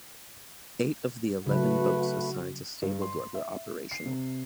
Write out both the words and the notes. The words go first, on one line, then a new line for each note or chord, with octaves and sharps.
Eight of the eleven boats assigned to Stable Door were operational.
C#3 F#3 A3 F#4 B4
G2
C6
E5
C7
C3